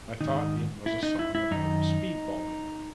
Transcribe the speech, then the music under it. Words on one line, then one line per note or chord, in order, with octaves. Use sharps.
I thought it was a song about speedballing.
G#2 D#3 D#4
E4
D#4
E4
E4
F#2 D#3 D#4